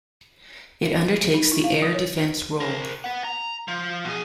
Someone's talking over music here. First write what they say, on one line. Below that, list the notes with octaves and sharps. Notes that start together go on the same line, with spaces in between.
It undertakes the air defence role.
D#4
E4
F5
F3
C#5
A#4 C5
B4 F#5
A#5
F3
B2 G#4